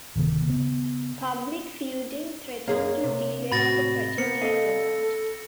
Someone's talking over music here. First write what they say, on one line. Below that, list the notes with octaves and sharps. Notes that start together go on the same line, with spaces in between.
Public feuding threatened to derail the project, he warned.
D1 C3 D#3 A#3
C#3 B3
F#2 A#3 G#4 C#5 F5
C3
A2 F#4 B5 A6 A#6
A#3 B3 C5 C#7
A4 D#5 F5